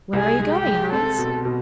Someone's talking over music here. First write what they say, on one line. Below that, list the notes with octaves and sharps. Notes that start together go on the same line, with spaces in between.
'Where are you going, Hans?'
C2 G#4
G#3
G4
G#3
C4 A4
B2
B2